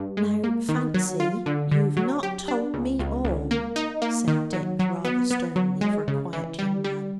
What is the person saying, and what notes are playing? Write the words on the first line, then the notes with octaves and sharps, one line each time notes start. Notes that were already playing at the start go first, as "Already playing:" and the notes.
"Now, Fancy, you've not told me all!" said Dick, rather sternly for a quiet young man.
Already playing: G2
G#3
A#3
D#3
F#3
F4
D3
D3
F#3
G4
D4
C#2
C#2
C#2
A#3
D#4
A#3
D#3
F#3
F#3
B3
B3
F#3
G#3
C#3
E3
G3
G3